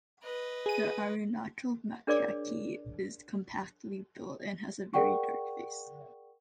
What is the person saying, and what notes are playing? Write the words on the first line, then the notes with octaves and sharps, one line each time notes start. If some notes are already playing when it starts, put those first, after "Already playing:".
The Arunachal macaque is compactly built and has a very dark face.
B4 D#5
G#4 D#7
D4 G#4 A#4 C#5 D5 D6
G#4 A#4 D5 F#5 G5 C#6